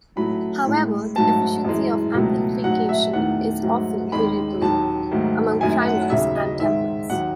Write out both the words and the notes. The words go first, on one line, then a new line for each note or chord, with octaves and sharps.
However, the efficiency of amplification is often variable among primers and templates.
A2 F#3 A3 B5
A2 G#3
G#2 F#3 A3 A5
F#2 E3 G#3
C#2 B2 F#3 A3
G#2 F#3 A3 F#5
E5
E2 D#3 F#3 A3 F#5
G#2 F#3 A3
D#2 D#3 G#3 B5
D#2 D#3 F#3 A5
G#2 D#3 F#3 A3
F#2 D#3 A3 G#5
F#5
D#2 C#3 F#3 E5
D#5
G#2 D#3 G#3 E5
D#2 D#3 F#3 F#5